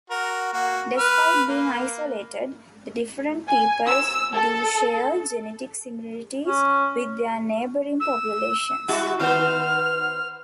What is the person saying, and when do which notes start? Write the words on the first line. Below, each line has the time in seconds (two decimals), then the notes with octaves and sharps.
Despite being isolated, the different peoples do share genetic similarities with their neighboring populations.
0.10 F#4 A#4
0.53 A#3 F#4
0.97 B4 F6
1.48 A#3
3.48 G#5
3.87 E6
4.34 A4
6.48 C#4
8.00 E6
8.88 G3 E4 F#4
9.20 D#3 B3 C5 F6